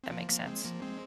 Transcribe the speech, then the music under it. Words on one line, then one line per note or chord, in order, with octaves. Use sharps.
That makes sense.
C4
F3 A#3
F3 A#3
G#3 C4
F3 A#3
G#3 C4